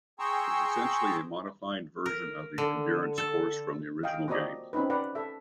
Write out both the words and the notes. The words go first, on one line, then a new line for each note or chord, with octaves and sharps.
It was essentially a modified version of the Endurance Course from the original game.
G#4 G5 A#5 C6 C#6 E6
A#4
D3
A4
D#5 F5 G5
A#3 C4 F#4 D5 D#5 A#5
C4 C#4 D#4 B4
B4 D5 F#5
A4 E5